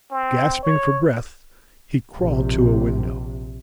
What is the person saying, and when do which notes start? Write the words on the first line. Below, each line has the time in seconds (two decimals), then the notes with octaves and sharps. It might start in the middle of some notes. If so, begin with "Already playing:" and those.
Gasping for breath, he crawled to a window.
0.11 C4
0.63 C#5
2.19 A#1 C3